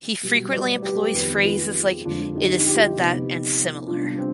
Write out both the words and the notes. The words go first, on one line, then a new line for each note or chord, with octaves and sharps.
He frequently employs phrases like "it is said that" and similar.
B2 G3 B3
B4 D5
G4 B4
F2 D#3 B3 G4 B4
B4
F4 G#4
F2 D3 F3 G#3 D4 F4
D#4 G4
G4
F4
D#4 G4
C3 F3 B3
C3 G3 B3 D4 F4
D4
C4